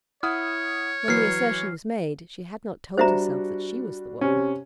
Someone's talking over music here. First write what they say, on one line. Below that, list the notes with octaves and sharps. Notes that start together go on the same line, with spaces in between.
When the assertion was made she had not told herself that she was the woman.
E4 C#5 F#5 D#6 F6
E3 F#3 B4 F6 C7
G3 D4 F#4 C5 E5 A#5
C3 C#4